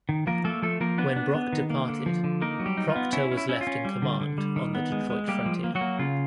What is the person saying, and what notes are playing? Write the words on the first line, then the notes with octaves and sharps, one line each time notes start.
When Brock departed, Procter was left in command on the Detroit frontier.
D#3
F3 A#3 A#4
A3 A#3 A4
F3 A3 A4
F3 A#3 A#4
B3 D4 B4
D4
B3
D#3
A#3
D3
F3
D3
A#3 D#4 A#4
F#3
G3 G4
D#4
F4
B3
C#4 E4
C#4
E4
C#4 E4
F4
C#4
G3
D3
D3
G3
D#3
B3
G#3
G#3
G3 A#3 G4
F3
A#3
F#3 F#4
A#3
C#3 F4